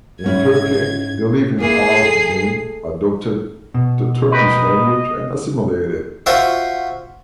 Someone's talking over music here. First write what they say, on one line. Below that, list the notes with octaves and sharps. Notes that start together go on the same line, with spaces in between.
In Turkey they live in Artvin, adopted the Turkish language and assimilated.
G#2 C#4 E4 G#6
A#3 E4 G#4 C7
A4
B2
G4 A#4 B4 D#5
F4 F#4 C5 E5